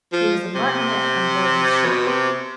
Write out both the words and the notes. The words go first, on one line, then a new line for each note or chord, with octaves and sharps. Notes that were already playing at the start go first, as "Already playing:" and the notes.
He was a Martinet on board his ship.
F3
C3
B2
C3